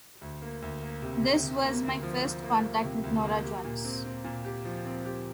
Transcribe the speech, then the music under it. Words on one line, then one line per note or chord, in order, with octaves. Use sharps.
This was my first contact with Norah Jones.
D2
A#3
D2
A#3
C3
C3
C3
A#3
D2
F3
F3
A#3
A#3
C3
D2
A#3
G4
A#2
C4
C4
A#2
G4
F3
C4
G4